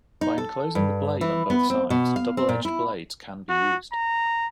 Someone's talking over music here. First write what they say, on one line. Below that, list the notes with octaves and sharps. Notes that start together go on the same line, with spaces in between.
By enclosing the blade on both sides, double edged blades can be used.
D#4
A4
G2
E3
B3
C4
B2
F5
C4
A#2
E4
F#4
A#5